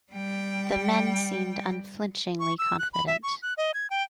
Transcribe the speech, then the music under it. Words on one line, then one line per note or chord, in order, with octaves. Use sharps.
The men seemed unflinchingly confident.
G3 G5
C#6
E6
F#6
B5
E5
C#6
F#6
D#5
G#6
G5